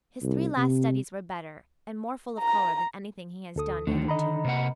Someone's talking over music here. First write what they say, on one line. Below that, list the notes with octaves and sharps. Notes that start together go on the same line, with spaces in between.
His three last studies were better and more full of colour than anything he has done hitherto.
C2
C3
A#5
D2 A4 D#6
D2 D3 D#3 A3
D#5 A#5 B5
C3 A#3 F#5